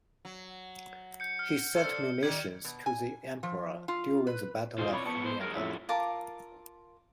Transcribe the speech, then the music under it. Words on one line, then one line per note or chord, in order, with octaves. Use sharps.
He sent munitions to the Emperor during the Battle of Vienna.
F#3
G6 C#7
F6
A4 C5 D5 C#7
D#3 G4 D5 G#6
B2
G#5
F3
F4
B4
E1 F4 C5 D#5 F5 D#6
C4 C#5 D5 B5 D6
F2 B3 A5 C#6
C5
F#2 G#3 A#4
F2 A2 C#4 E5
F4 A#4 A5 D6